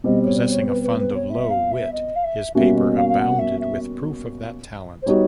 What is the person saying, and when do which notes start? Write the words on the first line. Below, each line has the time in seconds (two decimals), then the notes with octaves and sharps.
Possessing a fund of low wit, his paper abounded with proof of that talent.
0.04 B2 G3 C4 D#5
0.24 C#5
0.35 D5
0.50 C#5
0.66 B4
0.82 B4
0.99 B4
1.14 C#5
1.29 E5
1.50 F5
1.71 E5
1.92 D#5
2.15 F5
2.23 E5
2.55 B2 G3 A#3 C#4 F#4 E5
2.76 D#5
2.96 F5
3.08 F5
3.18 F#5
3.38 E5
3.60 E5
5.02 C5
5.06 G3 B3 D#4 F#4 C#5